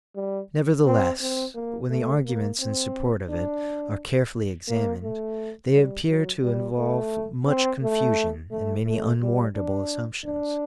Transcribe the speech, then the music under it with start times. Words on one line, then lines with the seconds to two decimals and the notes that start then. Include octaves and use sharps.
Nevertheless, when the arguments in support of it are carefully examined, they appear to involve much confusion and many unwarrantable assumptions.
0.16 G3
0.86 C4
1.21 C4
1.55 A#3
1.90 A3
2.25 A#3
2.60 C4
3.29 D4
4.68 A#3
5.03 A3
5.73 G3
6.08 F#3
6.43 G3
6.78 A3
7.47 C4
7.82 A3
8.51 A3
8.87 A3
9.21 G3
9.55 D4
10.25 D4